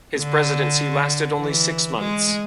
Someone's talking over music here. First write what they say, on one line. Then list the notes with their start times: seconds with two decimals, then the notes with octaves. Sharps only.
His presidency lasted only six months.
0.18 D3
1.39 E3
1.99 G#3